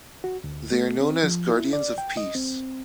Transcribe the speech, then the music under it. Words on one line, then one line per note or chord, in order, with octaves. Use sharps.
They are known as "Guardians of Peace".
F#4
D2
A3
C4
F3
E4
D5
G5
D#5
C4